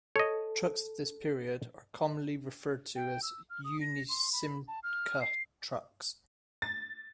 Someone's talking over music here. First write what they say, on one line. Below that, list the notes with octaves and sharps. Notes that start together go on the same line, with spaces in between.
Trucks of this period are commonly referred to as Unic-Simca trucks.
A4 C#5 D#5
G5
E6
F6
D#6
A#6
C6
B5
A5
F6
C7
A6